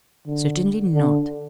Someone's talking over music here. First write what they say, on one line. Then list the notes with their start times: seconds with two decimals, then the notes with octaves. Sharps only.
Certainly not!
0.27 D3
0.94 D3